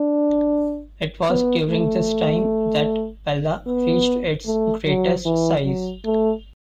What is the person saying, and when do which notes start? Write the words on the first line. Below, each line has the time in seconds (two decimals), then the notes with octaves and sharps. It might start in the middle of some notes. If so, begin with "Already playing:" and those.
It was during this time that Pella reached its greatest size.
Already playing: D4
1.30 B3
1.70 A3
3.67 B3
4.46 A3
4.86 F#3
5.25 E3
5.64 F#3
6.05 A3